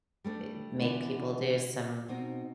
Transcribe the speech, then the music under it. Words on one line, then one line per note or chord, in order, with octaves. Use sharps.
i make people do some
G3 A3 C#4 D4
D3 E3 B3 E4
B2 C4 D#4